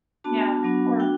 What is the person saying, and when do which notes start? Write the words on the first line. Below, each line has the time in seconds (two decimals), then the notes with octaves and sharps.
Yeah or
0.24 B3 D4 F#4 A5
0.63 F#3 B3 D4 F#4
1.00 D4 F#4 G5